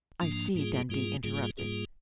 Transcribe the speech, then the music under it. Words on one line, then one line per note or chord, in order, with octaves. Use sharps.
"I see," Dundee interrupted.
G#2 F3 A#3 D4
G#2 G3 A#3 F4 G#4
G#2 G3 A#3 F4 G#4
G#2 G3 A#3 F4 G#4
G#2 G3 A#3 F4 G#4